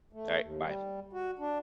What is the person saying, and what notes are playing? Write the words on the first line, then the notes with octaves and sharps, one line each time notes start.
Alright, bye.
A3
D#2
G3
F#4
D4